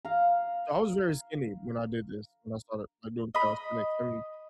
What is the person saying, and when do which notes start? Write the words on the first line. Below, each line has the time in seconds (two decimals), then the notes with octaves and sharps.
So, I was very skinny when I did this, when I started, like, doing calisthenics I mean,
0.05 F5 A#5
3.35 D#5 B5